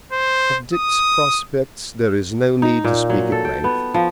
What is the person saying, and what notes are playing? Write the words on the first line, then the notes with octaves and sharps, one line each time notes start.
Of Dick's prospects there is no need to speak at length.
C5
D#6
D#4
A#2
F#3
A4
G5
B3
F3